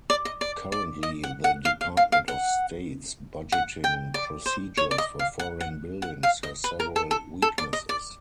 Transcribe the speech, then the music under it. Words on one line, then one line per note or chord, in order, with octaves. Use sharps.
Currently, the Department of State's budgeting procedures for foreign buildings has several weaknesses.
D5
D#5
D5
D5
D#5
F#5
F#5
F5
F5
F5
F5
F#5
F#5
G5
D5
C5
C#5
D5
D#5
F5
F#5
F#5
F#5
F5
D#5
B4
A#4
A4
A4
A4
D5
D#5
D5